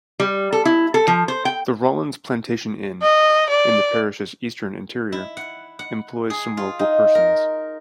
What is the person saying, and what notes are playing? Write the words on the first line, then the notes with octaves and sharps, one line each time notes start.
The Rawlin's Plantation Inn, in the parish's eastern interior, employs some local persons.
G3
A4
E4
A4
F3
C5
G5
D#5
D5
E4
F#5
F#5
G#4
F4
D#4
A#4